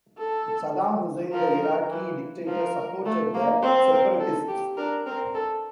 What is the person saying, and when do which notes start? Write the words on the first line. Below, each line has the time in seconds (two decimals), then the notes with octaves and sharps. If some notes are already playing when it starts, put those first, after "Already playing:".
Saddam Hussein, the Iraqi dictator, supported the separatists.
0.18 A4
1.32 F3 A#4
1.89 E3
2.47 F3 A#4
3.05 A3
3.34 A#3
3.62 C4 C5
3.91 A#4
4.20 A4
4.48 G4
4.77 D4 A#4
5.06 C4 A#4
5.34 A4